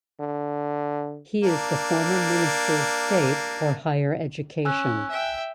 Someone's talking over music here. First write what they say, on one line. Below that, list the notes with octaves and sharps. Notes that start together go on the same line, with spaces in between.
He is the former Minister of State for Higher Education.
D3
A#3 D4
C#4 G#5 E6 F#6
E5 G5